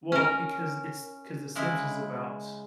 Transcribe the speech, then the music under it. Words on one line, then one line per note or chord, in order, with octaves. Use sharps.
Well, because it's 'cause the Sims is about
C#4 A#4
C#3 G#3 E4